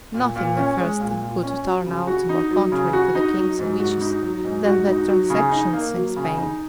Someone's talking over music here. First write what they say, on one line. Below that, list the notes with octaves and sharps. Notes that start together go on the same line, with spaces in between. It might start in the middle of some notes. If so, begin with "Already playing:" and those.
Nothing at first could turn out more contrary to the king's wishes than the transactions in Spain.
A#2
A#2
C#4
G#3
A#2
A#2
C#4
F#3
C#3
F#4
D#4
F#3
C#3
F#4
D#4
F#3
G#2
F#4
D#4
F#3
G#2
F#4
D#4
F#3
C#3
D#4
A#3
F#3
C#3
D#4